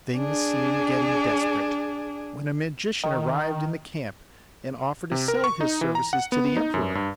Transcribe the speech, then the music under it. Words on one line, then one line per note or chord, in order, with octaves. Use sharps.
Things seemed getting desperate, when a magician arrived in the camp and offered to sell his services to the emperor.
D4 G#4
D#3
C3
A#4
C#6
D#4
E3
A#5
F#5
B3
D#4
F#2
G2